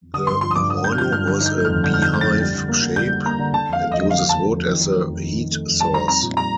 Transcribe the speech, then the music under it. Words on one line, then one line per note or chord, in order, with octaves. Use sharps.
The horno has a beehive shape and uses wood as the heat source.
D3 D#6
G2 C6
F3 C6
D#6
G2 D6
D3 D#6
G2 G6
F6
F3 G6
G2 F6
D3 F6
D#4
G6
A3
F2 F6
D3 G6
F6
D#4 G6
A3 G6
F2 A6
G3
D3
A#3
D3
G3 G6
D3
A#3 A#5
D3
D3 A5
F2 F5
A3
D#5
F2
D3 F5
F2
A5
A3
F2
D#3
D#4
A3
F2
D#3
D#4
A3
F2
G3 A5
D#4 A#5
C4 A#5
A#2
G3 A#5